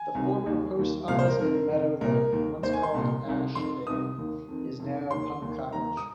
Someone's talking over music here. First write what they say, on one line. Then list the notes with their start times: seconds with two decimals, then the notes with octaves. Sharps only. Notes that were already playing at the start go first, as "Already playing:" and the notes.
The former post office in Meadow Lane, once called Ashdene, is now Pump Cottage.
Already playing: G#5
0.15 C2 C3 D#3
0.46 D#2 D#3
0.76 D#2 D#3
1.08 C2 A#2 F5
1.19 C5
1.28 A#4
1.39 F2 D#3 A#4
1.69 F2 C3 D#3
2.01 C2 A#2 A#4
2.32 D#2 D#3
2.63 D#2 D#3 C5
2.73 G#5
2.83 C6
2.94 C2 A#2
3.25 C2 C3 D#3
3.55 F2 D#3 C6
3.87 C2 C3 D#3 D#6
4.18 D#2 D#3
4.49 F2 D#3
4.80 F2 C3 D#3
5.10 D#2 D#3 C6
5.42 D#2 D#3
5.72 D#2 D#3 A#5
5.97 D#6